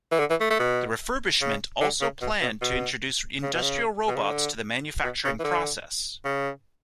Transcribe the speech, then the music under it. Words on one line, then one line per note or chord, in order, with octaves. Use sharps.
The refurbishment also planned to introduce industrial robots to the manufacturing process.
E3
D3
E3
A3
A3
B2
C#3
D3
C#3
B2
B2
B2
C#3
B2
C#3
B2
C#3
D3
B2
C#3
E3
D3
C#3